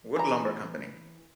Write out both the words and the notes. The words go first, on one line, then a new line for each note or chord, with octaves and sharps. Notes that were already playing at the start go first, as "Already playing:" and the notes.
Wood Lumber Company.
E3 A#5